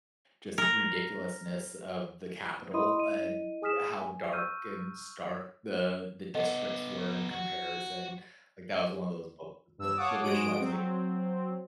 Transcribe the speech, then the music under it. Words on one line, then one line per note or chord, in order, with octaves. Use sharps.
just ridiculousness of the Capitol and how dark and stark the the districts were in comparison, like, that was one of those books that the visualization,
A#4
E4 D#5 B5 C6 D#6 D#7
E4 D#5 D#7
G#4 G#5 D#6 F6 B6 E7
G#5
C#6 E6 F6 G6 D#7
B3 A4 D#5 F#5
F#4
G2 E6
C#5 F5 F#5 A5 D6 D#6
G#2 G#3 F#4 D#6 D7
F#3 C4